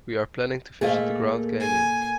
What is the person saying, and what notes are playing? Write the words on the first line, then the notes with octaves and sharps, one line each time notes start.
We are planning to visit the Grand Canyon.
A#2 A3 G#4 C5 D#5 F5
G#5